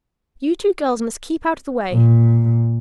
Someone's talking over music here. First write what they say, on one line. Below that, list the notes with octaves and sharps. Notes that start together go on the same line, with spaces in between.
You two girls must keep out of the way.
A#2